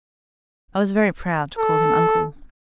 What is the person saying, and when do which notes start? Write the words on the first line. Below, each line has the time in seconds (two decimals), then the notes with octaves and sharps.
I was very proud to call him uncle.
1.58 A4